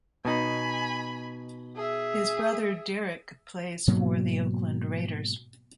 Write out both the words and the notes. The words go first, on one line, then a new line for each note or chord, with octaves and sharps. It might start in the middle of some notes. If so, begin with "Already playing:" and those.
His brother, Derek plays for the Oakland Raiders.
B2 D#4 G#5 B5
G#4 E5
G#2 B2 F#3 A#3